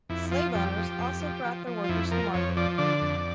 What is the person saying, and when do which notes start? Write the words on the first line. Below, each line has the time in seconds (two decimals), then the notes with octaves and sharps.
Slaveowners also brought their workers to market.
0.09 F2 E4
0.32 F3 F4
0.55 F2 G4
0.77 F3
0.99 F2
1.21 F3
1.45 F3
1.67 F3
1.84 F4
1.89 F2 E4
2.12 F3 A#4
2.34 F2 C#5
2.57 F3 D5
2.78 D3 D5
3.02 F2